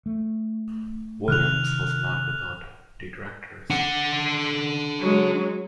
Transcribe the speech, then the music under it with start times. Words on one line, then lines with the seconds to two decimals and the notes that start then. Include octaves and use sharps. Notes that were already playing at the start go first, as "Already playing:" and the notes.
Williams was not without detractors.
0.06 A3
1.28 C3 D#3 F6 F#6 F7
3.70 D4 F#5
5.00 F#3 G#3